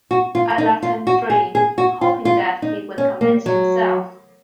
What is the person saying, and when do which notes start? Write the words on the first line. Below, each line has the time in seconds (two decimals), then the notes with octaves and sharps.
I left him free, hoping that he would commit himself.
0.11 F#4
0.35 F4
0.58 D#4
0.83 F4
1.07 F#4
1.30 G#4
1.55 G#4
1.78 F#4
2.01 F4
2.25 F4
2.62 D#4
2.98 C#4
3.21 A#3
3.46 F#3